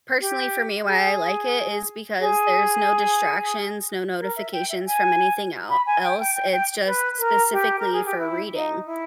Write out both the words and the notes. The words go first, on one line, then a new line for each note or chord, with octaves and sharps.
personally for me, why I like it is because there's no distractions, no notifications from anything el else, it's just specifically for reading,
G4
G#4
G#4
A#4
E5
G5
E5
G#5
B5
G#5
G5
G5
G5
G5
B4
A#4
G4
A#4
G#4
G4
E4
D#4
E4